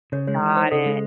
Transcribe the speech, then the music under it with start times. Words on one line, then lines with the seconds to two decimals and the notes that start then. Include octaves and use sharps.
Got it.
0.12 C#3 C#5
0.27 G#3 C#5
0.42 E3
0.56 D#4 C5
0.71 C#3 A4
0.86 G#3